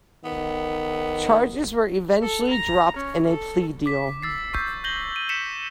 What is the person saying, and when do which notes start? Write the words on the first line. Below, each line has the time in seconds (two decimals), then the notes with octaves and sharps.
Charges were eventually dropped in a plea deal.
0.25 D#3 B3
2.22 A4
2.51 A#5
2.96 C#4
3.27 A4
3.86 D6 B6
4.23 E6 A6 C7
4.53 C#6 E6 G6
4.84 G6 A#6 F#7 G7
5.16 D#7
5.29 B6 C#7 E7